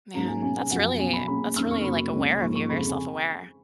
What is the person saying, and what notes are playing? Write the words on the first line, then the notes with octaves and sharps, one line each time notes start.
Man, that's really that's really, like, aware of you, very self-aware.
G#2 F#3 A#3 C#4 A#5
G#5
B2 G#3 C#4 G#5
F#2 F3 B3 F#5
B2 F#3 C#4 G#5
B5
A#2 G#3 C#4 B5
F2 D#3 A#3 C#4 F6
C#6
F#2 C#3 F#3 A#3 C#4 B5
C#2 B2 A#3 C#4
G#2 F3 A#3 C#6
C#6
F2 C#3 G#3 B5
G#5